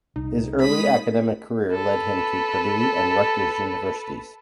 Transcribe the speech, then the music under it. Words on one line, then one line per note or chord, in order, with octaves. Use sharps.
His early academic career led him to Purdue and Rutgers universities.
C2 D#4
G#3 B5 D#6 B6
A4 B4